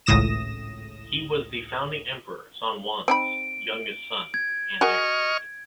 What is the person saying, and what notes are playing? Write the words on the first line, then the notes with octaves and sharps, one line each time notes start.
He was the founding emperor Sun Quan's youngest son and heir.
G#1 C#2 A2 D#6 A#6 E7
C4 D#4 B5 D7
G#6
F#4 G#4 A#4 D#5 C#6 F6